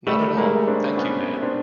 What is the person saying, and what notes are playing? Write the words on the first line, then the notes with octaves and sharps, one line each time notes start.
Not at all, thank you, ma'am.
G3 A3
G#3 A#3
C4 D4
B3 C#4
C4 D4